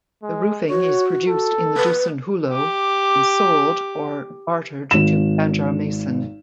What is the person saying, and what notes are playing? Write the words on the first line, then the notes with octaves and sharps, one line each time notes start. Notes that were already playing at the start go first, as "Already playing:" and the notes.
The roofing is produced in the Dusun Hulu and sold or bartered to Banjarmasin.
G#3
F#4 C#5
A4
B4
G4 D6
G#1 E7